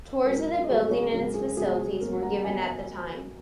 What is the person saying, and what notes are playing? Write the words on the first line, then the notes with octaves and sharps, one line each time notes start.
Tours of the building and its facilities were given at the time.
G#2 F#3 C#4 A#4
D#5
G#2 F#3 C#4 G#4 C#5
G#4 C#5
G#2 F#3 C#4 A#4
G#4
G#2 F#3 C#4 G#4
G#2 F#3 A#3 C#4 A#4
F#5 A#5
F#3 A#3 C#4 D#5 G#5